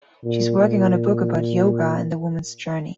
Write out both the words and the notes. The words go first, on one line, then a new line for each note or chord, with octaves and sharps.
She is working on a book about yoga and the woman's journey.
A#2
A#2